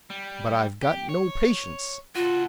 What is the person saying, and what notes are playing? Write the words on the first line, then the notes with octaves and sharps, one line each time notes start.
"But I've got no patience."
G3
G4
C#5
F4 F#4 A4